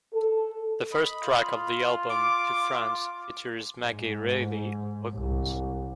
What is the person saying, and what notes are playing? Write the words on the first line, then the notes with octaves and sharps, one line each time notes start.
The first track of the album, "To France", features Maggie Reilly on vocals.
A4
D#5 B5
F4
D6
G#2
C2